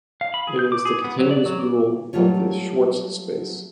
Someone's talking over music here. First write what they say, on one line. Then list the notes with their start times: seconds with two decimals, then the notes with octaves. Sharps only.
It is the continuous dual of the Schwartz space.
0.21 F5
0.34 B5
0.47 G#4
0.59 G6
0.72 D6
0.85 G#4
1.04 B3
1.19 F#3
1.31 D5
1.46 F#3
1.59 D6
2.13 F#3 G3 A3 F4 C#5